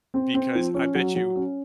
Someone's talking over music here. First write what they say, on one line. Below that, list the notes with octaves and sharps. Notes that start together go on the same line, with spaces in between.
Because, I bet you,
C4
C4
F3
C#4
F#3
F#3
C#4